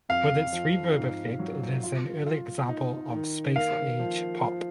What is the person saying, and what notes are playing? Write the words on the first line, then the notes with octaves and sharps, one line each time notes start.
With its reverb effect it is an early example of Space Age Pop.
F2 F5
F3
G#2
F#3
F4
F4
D#4
D#3
A#3 F5
F3
F3